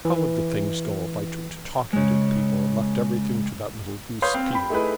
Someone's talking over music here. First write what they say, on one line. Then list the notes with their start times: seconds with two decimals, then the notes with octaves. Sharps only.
How would the things go, if I took to talking to the people, and left everything to that little goose, Peter?
0.05 E3
1.93 C#3 G#3
4.22 B4 C#5 F5 C6 D#6 G6
4.34 C4 F5
4.52 G5 B5
4.70 A3 D#4 E4 G#4 B4